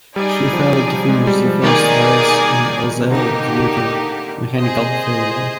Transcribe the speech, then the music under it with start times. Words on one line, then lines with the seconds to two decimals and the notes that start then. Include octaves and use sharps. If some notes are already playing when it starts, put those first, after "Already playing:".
He failed to finish the first race in Losail due to a mechanical failure.
0.16 G3 D#4 G#4 D5 G#5
0.53 F3
0.89 G3
1.09 G#3
1.27 G3
1.45 F3
1.64 D#3 A#3 D#4 G#4 D5 G#5
3.01 C3
3.11 D3 A#3 D#4 G4
4.58 C3 G#4 C5 D#5